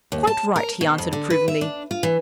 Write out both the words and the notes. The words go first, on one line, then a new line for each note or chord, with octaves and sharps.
'Quite right,' he answered, approvingly.
D#2
A5
A#4
B2
F2
D3
B4
E5
D4
F4
E3